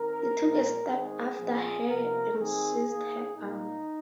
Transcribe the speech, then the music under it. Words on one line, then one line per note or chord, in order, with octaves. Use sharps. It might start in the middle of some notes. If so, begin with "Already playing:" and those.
He took a step after her and seized her arm.
Already playing: D#3 C4 A#4
A#2 F3 G#3 C4
D#3 G#3 C4 G#4
A#2 F3 C4
C3 F3 A#3 A#4
D#3 C4 G#4
D#3 A#3
A#2 A#3 D#4